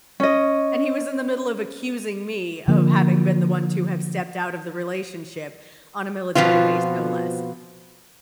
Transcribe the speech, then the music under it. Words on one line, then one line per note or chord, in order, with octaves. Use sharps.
and he was in the middle of accusing me of having been the one to have stepped out of the relationship, on a military base, no less.
C#4 D#5
D3 F3 A#3
B2 F3 B3 C4 F4